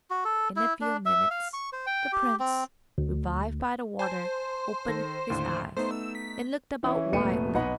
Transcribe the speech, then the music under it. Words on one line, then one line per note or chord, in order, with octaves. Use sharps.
In a few minutes the prince, revived by the water, opened his eyes, and looked about wildly.
F#4
A4
E4
D4
E5
F5
C#6
C5
G5
G4
C4
D2
C5 G#5 A5 G6
D#3 A4 A#6
D#2 A2 D3
A3 B3 D#4 C5
E6
B6
E3 C#4 E4
F1 A#2 A3 B3 C#7 D#7
B1 B3 D#5 F#5 B5